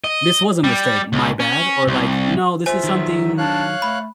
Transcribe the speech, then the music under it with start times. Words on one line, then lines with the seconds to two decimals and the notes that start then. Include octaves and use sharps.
this was a mistake, my bad," or, like, "No, this is something
0.04 D#5
0.64 G3
1.13 C#2
1.40 C#4
1.87 C2
2.66 E2 F4 C5 E5 G#5
2.84 D#3 F#3
3.38 D4 C#5 F5 F#6
3.82 A3 B5